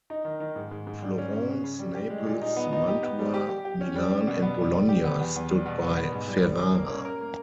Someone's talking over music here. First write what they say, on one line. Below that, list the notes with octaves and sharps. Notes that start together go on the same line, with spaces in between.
Florence, Naples, Mantua, Milan, and Bologna stood by Ferrara.
D#4
D#3
D#3
G#2
G#2
G#2
G3
C#4
C#4
C#3
C#3
G3
G4
G#3
A#2
D#4
B3
D#4
G4
B3
G3
G4
G4
G4
C#4
G3
G3
B2
B3
G3
G3
G4
B3
E2
E2
G3
B2
B3
B3
G#2
G3
G3
G3
A#3
C#4
A#4
A#3